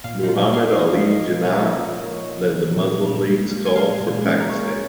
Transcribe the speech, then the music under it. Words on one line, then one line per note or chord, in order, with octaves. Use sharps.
Muhammad Ali Jinnah led the Muslim League's call for Pakistan.
A#2 F5
D#4
A#2 F4
A#2 F5
F5
F3 D#5
F3
A#2
C#5
C#4 A#4
A#2
A#2
A#2
A#2
A#2
A#2
G#3
A#2
G#5
G#3 F5
A#2
C#4
A#4
G#3 C#5